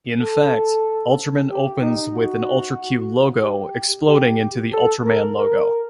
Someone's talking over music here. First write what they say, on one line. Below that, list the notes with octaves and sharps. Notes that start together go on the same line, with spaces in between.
In fact, "Ultraman" opens with the "Ultra Q" logo exploding into the "Ultraman" logo.
A4
G4
D#4
F#4
G4
G4
A4
A#4
A#4